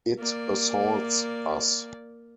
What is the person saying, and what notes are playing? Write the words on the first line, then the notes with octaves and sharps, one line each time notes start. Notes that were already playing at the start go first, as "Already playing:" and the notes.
It assaults us.
A#3 D5